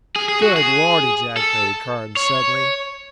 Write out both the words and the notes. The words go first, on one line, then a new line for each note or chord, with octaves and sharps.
"Good Lord!" ejaculated Carnes suddenly.
G#4
G#4
F#4
G#4
A4
C#5